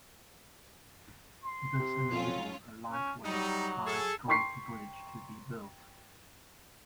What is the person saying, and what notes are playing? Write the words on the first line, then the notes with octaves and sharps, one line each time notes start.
This enables a lightweight, high strength bridge to be built.
C6
C3
F2 F#3 C#4 F4
C#4
F#3 G3 D#4
G#4 A4
G5 A#5 C6 C#6 B6 C7